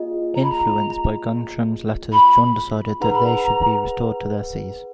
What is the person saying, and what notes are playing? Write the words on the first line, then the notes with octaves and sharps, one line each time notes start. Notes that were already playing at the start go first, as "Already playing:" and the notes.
Influenced by Guntram's letters, John decided that they should be restored to their sees.
Already playing: A#3 F4 G#4 D#5
A#5
B5
A#5
B5
D#4 G#4 B4 F#5 A#5
B5
A#5